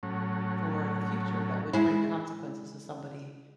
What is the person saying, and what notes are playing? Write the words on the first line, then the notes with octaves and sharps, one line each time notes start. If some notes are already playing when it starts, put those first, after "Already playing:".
for the future that would bring consequences to somebody?
A2 F#3 C#4
G#3 E4